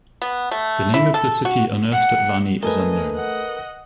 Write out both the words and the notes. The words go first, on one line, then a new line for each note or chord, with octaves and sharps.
The name of the city unearthed at Vani is unknown.
B3
A3
E4
A4
F#4
F#5
A3 A#4 B4 D#5 G#5
D#5 F#5